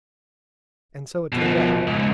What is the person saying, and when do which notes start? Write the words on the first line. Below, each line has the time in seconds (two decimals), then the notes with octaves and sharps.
And so it turned out.
1.32 B2 F3
1.87 C#2 G#2